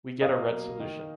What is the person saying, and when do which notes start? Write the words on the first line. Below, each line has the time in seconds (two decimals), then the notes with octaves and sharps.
We get a red solution.
0.21 B2 D#5 F5
0.50 F#3 A#3
0.80 D#3